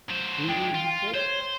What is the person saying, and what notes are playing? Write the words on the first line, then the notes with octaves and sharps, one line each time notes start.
"Do you?" he said.
F#3 C5
G#3 D4 G5
F4
C5 C#5